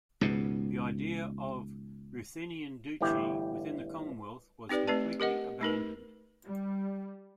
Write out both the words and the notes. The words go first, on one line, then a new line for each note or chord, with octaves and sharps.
The idea of a Ruthenian Duchy within the Commonwealth was completely abandoned.
C#2 G#2 B2
G1 A2 E3 G4
C4 D#4 G4 B4 D5
A3 C4 B4 D5 A5
G4 A#4 D#5 F#5
A3 D#4 A#4 B4
G3